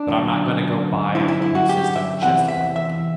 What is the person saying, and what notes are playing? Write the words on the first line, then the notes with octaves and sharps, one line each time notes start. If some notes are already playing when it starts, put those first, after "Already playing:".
but I'm not gonna go buy a whole new system just to play that game.
Already playing: D4
F#2 D3
F#2 D3 E4
E4
E4
F#4
G4
E5
E2 C3 E3 F#5
E5
E5